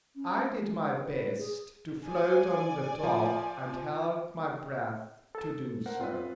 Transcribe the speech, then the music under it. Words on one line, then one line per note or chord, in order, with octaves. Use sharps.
I did my best to float on the top, and held my breath to do so.
C#4
C#4
G#3
B4
B4
G#4
D5 G#5
F3
A4 A5
A#4 C5 F#5
C4 F4 B4